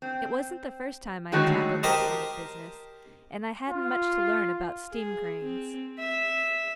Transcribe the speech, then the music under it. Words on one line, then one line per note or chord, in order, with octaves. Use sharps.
It wasn't the first time I had tackled that kind of business, and I hadn't much to learn about steam cranes.
C4
D3 D#3 F#3 G#3 A3 F#4
G4 A#4 C5 D#5 A5
F4
G#4
C4
E5